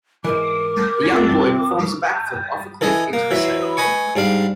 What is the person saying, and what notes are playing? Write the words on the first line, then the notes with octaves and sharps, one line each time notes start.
A young boy performs a backflip off a cliff, into the sea.
G#2 E3 A#4 D6
C4 F4 E5
E3 A4 D#5 G#5
A#3
E3 F#3 E5
B4 D#5 G#5 C#6
G#2 G3 D4 F5